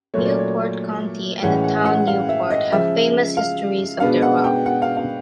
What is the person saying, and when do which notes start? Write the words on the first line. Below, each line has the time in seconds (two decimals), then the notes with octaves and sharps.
Newport County and the town Newport have famous histories of their wealth.
0.14 A#2 F#3 A3 C#5
0.26 D5
0.39 C#5
1.43 A2 E3 G#3 C#4 F#5
1.64 F#5
1.85 F#5
2.07 F5
2.29 E5
2.50 D#5
2.72 C#3 F3 G#3 E5
3.37 F5
4.00 B2 G#3 B3 D4 F5
4.22 F#5
4.44 G5
4.66 F#5
4.82 F5
4.97 F5